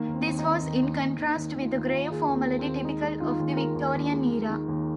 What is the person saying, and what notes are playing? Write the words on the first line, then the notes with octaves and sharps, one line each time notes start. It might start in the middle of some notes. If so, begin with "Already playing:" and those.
This was in contrast with the grave formality typical of the Victorian era.
Already playing: D#3 A#3
D#2
C4
D#2
D#4
D#3
D#2
D#2
D#2
D#2
D#2 D#4
D#2
F4
D#2
F4
D#2
D#2 G#4
D#2
A#3
D#2
C4
D#2
G#3 D#4
G#3
D#3 F4
D#2
G#3 A#4
D#2
D#2
G#3
D#3
D#3
D#2